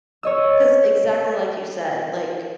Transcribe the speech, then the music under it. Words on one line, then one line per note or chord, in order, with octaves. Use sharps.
‘cause exactly like you said, like,
C#5 D#5 E6